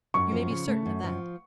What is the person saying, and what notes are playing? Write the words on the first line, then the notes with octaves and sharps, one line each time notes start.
You may be certain of that.
F#2 C#6
F3
C#3
A3
F#2
F3